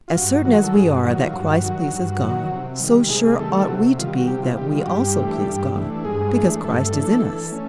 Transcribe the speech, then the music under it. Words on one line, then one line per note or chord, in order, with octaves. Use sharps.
As certain as we are that Christ pleases God, so sure ought we to be that we also please God, because Christ is in us.
F4
G2 F#4
D#3 F#3 F#4
A4
G2 G#3 G#4
F#4
D#3 F#3 F#4
F4
G2 F#4
D#3 F#3
G2
D#3 F#3
C3
D#3 G3
C3 G#3 G#4
G#3 G#4
D#3 G3 A3 A4
A3 A4
C3 F#4
D#3 G3 F4
F#4
C3 G3 G4
F4
D#3 G3 G4
F4
F#4
G2 G3 G4
E3 A3 D4
G2
E3 A3 D4
G2 G#3 G#4
E3 A3 D4
G2 A3 A4
E3 A3 D4
E3
A3 C#4